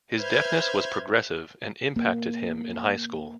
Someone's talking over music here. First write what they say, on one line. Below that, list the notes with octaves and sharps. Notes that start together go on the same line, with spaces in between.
His deafness was progressive and impacted him in high school.
B4 C5 E5 F6 G6 G#6
A#3